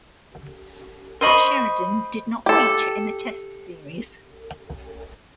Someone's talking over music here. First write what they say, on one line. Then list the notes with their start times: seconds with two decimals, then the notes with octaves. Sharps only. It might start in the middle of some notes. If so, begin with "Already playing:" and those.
Sheridan did not feature in the Test series.
1.21 C5 D#5 B5 C#6
2.46 G4 A4